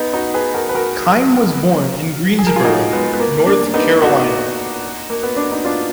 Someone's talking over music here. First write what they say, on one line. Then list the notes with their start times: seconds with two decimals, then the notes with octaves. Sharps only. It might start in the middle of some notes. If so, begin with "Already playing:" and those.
Kime was born in Greensboro, North Carolina.
Already playing: B3 D#4
0.13 D#4 F#4
0.34 G#4 B4
0.54 F#4 A#4
0.69 B4
0.75 F#4 A#4
2.39 G#4
2.47 A#4
2.56 F4 G#4
2.65 D#4 F#4
2.93 G#3 B3
3.14 B3
3.20 A#3
3.46 A#3 D4
3.74 B3 D#4
4.02 D#4 F#4
5.10 A#3
5.23 B3
5.37 D4
5.51 D#4
5.65 D4 F4